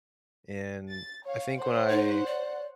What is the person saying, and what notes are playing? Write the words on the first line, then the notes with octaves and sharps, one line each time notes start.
And, I think when I
A6
C#5 F5
C5 C#5 F#5
D#4
D5